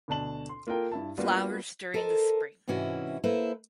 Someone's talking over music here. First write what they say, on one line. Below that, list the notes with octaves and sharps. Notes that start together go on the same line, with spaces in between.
Flowers during the spring.
D2 B2 D4 A5 F#7
C6
A#3 F4 A4 A#4 G5
G2 E4 A5
G3 A#3 B3 D4 F4 F#4
A4 A#4 C5 D#5
G#2 C3 E3 C#4 E4 F#4
A#3 E4 A4 B4 C5